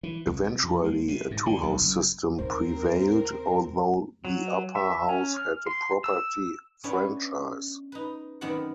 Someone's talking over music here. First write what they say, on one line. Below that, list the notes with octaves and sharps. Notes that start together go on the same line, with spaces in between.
Eventually a two-house system prevailed, although the Upper House had a property franchise.
E3
C2
C3
F2
G#3
C3
G#2
D3
B1
F#1
D#2 C#3 C4 A#4 C5
F#3
E5
C#4
F6
C6
E6
B3 C#4 D4 E4 B4 C5
D#4 B4
F#2 D#3 B3 C4 D5 F#5